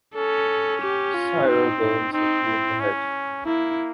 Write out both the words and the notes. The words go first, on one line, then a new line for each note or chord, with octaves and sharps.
Ciro Gomes hit me in the head.
C#4 A4
G4
F4
C4 D#4
D#4
C4 D#4
E4
C#4
A#3 E4